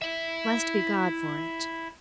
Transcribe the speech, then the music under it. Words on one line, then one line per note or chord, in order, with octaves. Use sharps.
Blessed be God for it!
E4 E5